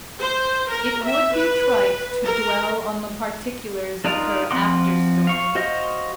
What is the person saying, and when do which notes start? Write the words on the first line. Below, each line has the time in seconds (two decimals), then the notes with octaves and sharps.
It would be trite to dwell on the particulars of her after story.
0.20 C5
0.71 A#4
1.05 E5
1.37 B4
2.25 A#4
4.05 D4 D#4 F4 A#4
4.51 F3 C4 F#5 C6 D6
5.27 F5 C#6
5.55 F#4 C5 D#5 F5